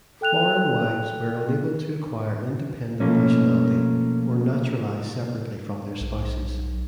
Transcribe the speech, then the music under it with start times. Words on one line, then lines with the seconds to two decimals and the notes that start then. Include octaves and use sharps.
Foreign wives were unable to acquire independent nationality or naturalize separately from their spouses.
0.21 A4 G5 F#6 F7
3.00 B2 F3 A3 A#3 C#4
6.01 B1